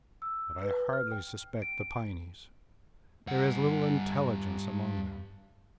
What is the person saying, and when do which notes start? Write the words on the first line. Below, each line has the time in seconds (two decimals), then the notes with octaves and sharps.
But I hardly suspect the Pineys. There is little intelligence among them.
0.22 E6
0.62 B4
0.93 F6
1.12 G5
1.62 D7
3.27 G2 F#5